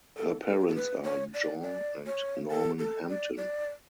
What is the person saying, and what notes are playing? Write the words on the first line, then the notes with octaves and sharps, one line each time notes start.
Her parents are Jean and Norman Hampton.
A4
A4
G4
A4
B4
C#5
D5
D5
C#5
A4
A4
D5
D5